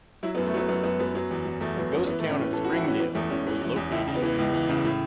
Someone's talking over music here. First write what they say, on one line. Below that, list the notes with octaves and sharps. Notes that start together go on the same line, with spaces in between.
The ghost town of Springdale was located in the town.
F#3 E4
B3
F#2
A3
F#3 B3
F#2 B3
F#2 B3
F#2 B3
F#3 B3
E2
E2
E2 A3
F#3 B3
E2 C#4
E3 B3
A3
A2
C#4
A2 B4
E3 A4
F#4
A2
E4
E3 C#4
E3 B3
E2 A3
E2 C#4
E3
E3
E2
C#2 E4
C#3
B3
E3
C#2
E3
C#3
A2